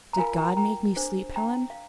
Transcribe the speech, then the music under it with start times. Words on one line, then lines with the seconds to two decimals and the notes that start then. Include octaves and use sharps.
"Did God make me sleep, Helen?"
0.13 A#5
0.17 F4 A#4 F5 G#5
0.37 G5 A#5
0.57 G5 A#5
0.96 D4 G#4 C5
1.36 G5 A#5
1.70 F5